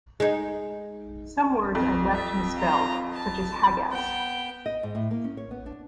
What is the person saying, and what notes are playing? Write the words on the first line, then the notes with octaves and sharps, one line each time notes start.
Some words are left misspelled, such as "haggas".
G#3 D#4
F2
E5
F4 A#5
A5
B3 G5
D#5
G#2
A2
A#3
C#4
C#5
B3
D4